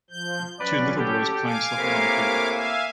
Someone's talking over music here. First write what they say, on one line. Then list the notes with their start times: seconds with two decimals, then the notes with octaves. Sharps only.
Two little boys playing soccer on a field.
0.10 F3 G6
0.59 F#3 C#4 B4 D5
0.96 G4 A4
1.44 F5 G#5 D6
1.77 A2 C3 A#3
2.50 E5 F5 G#5